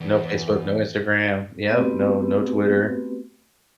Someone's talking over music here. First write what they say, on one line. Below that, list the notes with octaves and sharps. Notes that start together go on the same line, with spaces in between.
No Facebook, no Instagram, yep, no no Twitter.
E2
A3 B3 C4 F#4 G4 B4